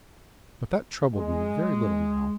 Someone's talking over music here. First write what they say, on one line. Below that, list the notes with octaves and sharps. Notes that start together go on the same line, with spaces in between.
But that troubled me very little now.
G#3